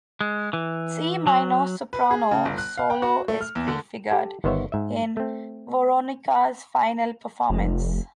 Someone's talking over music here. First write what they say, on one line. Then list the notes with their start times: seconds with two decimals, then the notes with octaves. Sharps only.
Its E minor soprano solo is prefigured in Weronika's final performance.
0.21 G#3
0.53 E3
1.27 F#3
1.93 B4
2.11 G#4
2.31 C#3
2.45 G1
2.58 F#6
2.77 F5
2.90 G5
3.02 F#4
3.28 A3
3.41 F6
3.55 E2
3.68 D3
4.11 G4 A4
4.44 G1 D#3 B3 C5 C#5 E5
4.72 G#2 E5
5.17 A3 C4
7.50 F1